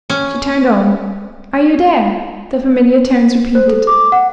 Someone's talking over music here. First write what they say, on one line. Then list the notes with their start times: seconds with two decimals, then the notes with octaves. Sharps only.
She turned on; 'Are you there?' the familiar tones repeated.
0.10 C#4
3.55 C5
3.68 A4
3.87 D6
4.12 F#5